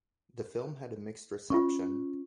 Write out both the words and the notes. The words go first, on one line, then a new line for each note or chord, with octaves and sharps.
The film had a mixed reception.
C#4 F4 C#6